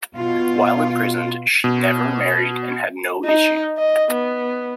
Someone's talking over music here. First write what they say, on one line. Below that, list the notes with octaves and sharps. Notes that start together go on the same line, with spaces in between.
While imprisoned, she never married and had no issue.
B2 F4
B2
D#4
D#5
B3